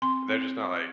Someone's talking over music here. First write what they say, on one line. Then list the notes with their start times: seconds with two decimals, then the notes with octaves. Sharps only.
They're just not, like,
0.02 C4 C6
0.29 C4